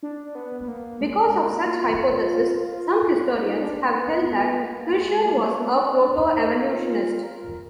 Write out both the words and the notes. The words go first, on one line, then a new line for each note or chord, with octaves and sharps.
Because of such hypotheses, some historians have held that Kircher was a proto-evolutionist.
D4
B3
B3
A#3
G#3
A#3
F4
D#4
D4
B3
A#3
G#3
A#3
G#3
A#3
B3
D4
D4
D#4
F4
A#4